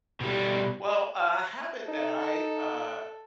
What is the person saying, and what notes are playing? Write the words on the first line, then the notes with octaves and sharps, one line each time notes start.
Well, a habit that I, uh,
B2 G3
D#4 A4